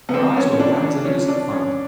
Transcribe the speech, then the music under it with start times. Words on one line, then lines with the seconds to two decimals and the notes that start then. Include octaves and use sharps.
Her eyes were wells of innocent fun.
0.09 B3
0.14 C4
0.36 C#4
0.60 D4
0.82 D4
1.05 C#4
1.28 D4
1.51 C#4